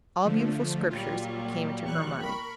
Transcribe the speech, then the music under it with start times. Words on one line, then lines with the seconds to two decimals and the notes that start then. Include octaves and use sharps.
All beautiful scriptures came into her mind.
0.24 D3 F3 A3
0.90 A#2 F#3 G3 F4
1.84 E2 C#6 F#6
2.23 A#4 B5 C#6